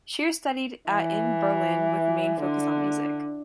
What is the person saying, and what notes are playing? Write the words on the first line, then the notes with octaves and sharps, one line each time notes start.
Scheer studied at in Berlin with main focus on music.
E3
D3